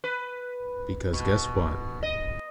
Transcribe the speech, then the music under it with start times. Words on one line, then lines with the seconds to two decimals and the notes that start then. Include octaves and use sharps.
Because guess what?
0.04 B4
1.13 B2
2.03 D#5